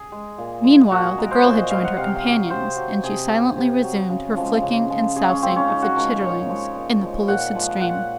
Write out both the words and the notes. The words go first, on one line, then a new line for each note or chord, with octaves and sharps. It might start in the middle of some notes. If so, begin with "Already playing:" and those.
Meanwhile the girl had joined her companions, and she silently resumed her flicking and sousing of the chitterlings in the pellucid stream.
Already playing: G#4
G#3
A#2
G#3
A#2 F#4
G#4
G#3 A#4
C5
A#2 C5
D#5
G#3 F5
F#5
C3 F5
D#5
F5
F#3
C3 C5
F#3
C3 G#4
F#3
C3
F#3
C#3
F3 G#3
C#3
F3 G#3
C#3 G#4
C#4
F3 G#3 C4
C#4
C#3 D#4
F#4
F3 G#3 A#4
A#2 C#5
F3 G#3
A#2
F3 G#3
A#2 F#5
F3 G#3
A#2 F#5